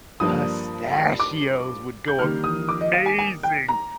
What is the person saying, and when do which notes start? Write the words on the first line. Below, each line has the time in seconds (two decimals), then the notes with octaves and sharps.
Pistachios would go amazing.
0.20 G2 F3 A#3 D4 D#6
1.20 D6
2.08 G6
2.19 D#3 G3 A#3 F6
2.44 D#6
2.69 D6
2.81 D#5
2.93 F5
3.06 G#5
3.18 G#5
3.43 G5
3.68 A#5